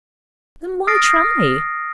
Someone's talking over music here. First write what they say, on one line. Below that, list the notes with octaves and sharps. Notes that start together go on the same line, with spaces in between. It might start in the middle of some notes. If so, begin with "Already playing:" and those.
Then why try?
D#6 F6 A6 A#6 C7 D7